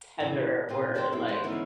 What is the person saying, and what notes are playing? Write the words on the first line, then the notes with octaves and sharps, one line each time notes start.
tether or, like,
A#2 E3 D4
A#2 C4 F4
D4 F#4 G4 A4 A#4 C5
B2 F3 C4 E4
G#3 F#4 B4 C5
D3 E3 A3 B3 C#4 D#4